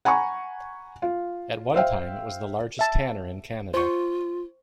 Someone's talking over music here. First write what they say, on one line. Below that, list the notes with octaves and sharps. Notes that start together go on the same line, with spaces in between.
At one time, it was the largest tanner in Canada.
F#5 G#5 A#5 B5 C#6
F4
C5 E5 F5 G5
E5 A5
F4 C5 C#6